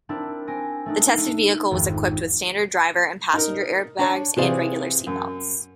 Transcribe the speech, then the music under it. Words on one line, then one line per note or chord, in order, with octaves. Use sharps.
The tested vehicle was equipped with standard driver and passenger airbags and regular seatbelts.
C4 D4 E4 A#4
C4 G#5 A#6 D7
A3 D4 D#4
A3 D#7
G#1 F2
D#4 A#4
D4 C#5
C3 E3 G#4 C5 D5 F5
F#2